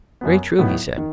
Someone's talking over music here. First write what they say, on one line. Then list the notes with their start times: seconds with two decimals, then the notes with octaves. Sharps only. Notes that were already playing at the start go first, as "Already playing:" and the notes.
Very true, he said.
0.21 F#2 F#3 B3
0.59 A2 F#3 B3 D#4
0.98 D#3